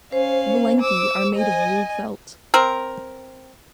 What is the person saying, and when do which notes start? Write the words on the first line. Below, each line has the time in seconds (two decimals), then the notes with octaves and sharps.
Valenki are made of wool felt.
0.12 C#4 C5 F5
0.80 D6 E6
1.35 D#5 G#5
2.54 C4 A#4